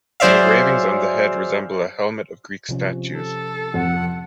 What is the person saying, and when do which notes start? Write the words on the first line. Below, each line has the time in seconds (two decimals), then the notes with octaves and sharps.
The engravings on the head resemble a helmet of Greek statues.
0.20 F#3 G#4 C5 D5 E5 F5
2.69 C3 F3 C#4
3.16 A4
3.74 F2 F#5